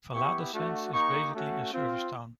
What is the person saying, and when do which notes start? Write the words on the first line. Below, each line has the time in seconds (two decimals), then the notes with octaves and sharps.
Viladecans is basically a service town.
0.14 B3 E4 G4 C#6
0.54 A3 D4 F#4
0.93 A#3 D#4 G4 C#6
1.33 A3 C#4 F#4
1.73 C4 F4